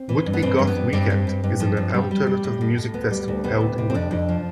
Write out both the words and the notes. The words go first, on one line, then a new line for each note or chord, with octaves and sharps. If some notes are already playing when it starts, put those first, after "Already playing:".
Whitby Goth Weekend is an alternative music festival held in Whitby.
Already playing: C4
E3
G2
B3
E3 C4
G2
B3
G2
G2 C4
G2
G2
G2
F3
G2
G3
G3
G3
A2
A2
A2
D2 B3
G3
D2
C3 B3
D2
C3
C4
F2 D4
F2
F3